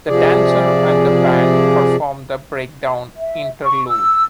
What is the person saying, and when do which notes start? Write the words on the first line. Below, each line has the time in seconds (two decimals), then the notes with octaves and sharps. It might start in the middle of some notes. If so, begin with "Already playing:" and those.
The dancers and the band performed the "Breakdown" interlude.
0.08 C3 F3 G#4 D5
3.16 E5
3.62 C#6
3.88 E6